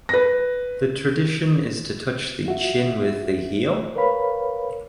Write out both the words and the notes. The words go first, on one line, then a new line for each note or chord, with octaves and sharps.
The tradition is to touch the chin with the heel?
B4 A#6
F4 F#4 E5
A#4 B4 C#5 F5 B5